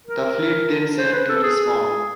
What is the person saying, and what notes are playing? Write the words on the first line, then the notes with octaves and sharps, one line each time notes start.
The fleet then sailed to Lisbon.
A#4
C5
B4
A4
G#4